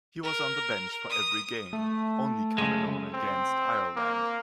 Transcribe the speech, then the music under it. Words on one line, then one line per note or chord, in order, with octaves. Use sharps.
He was on the bench for every game, only coming on against Ireland.
A#4
D#6
A3
C#3 G#3
C4
A#3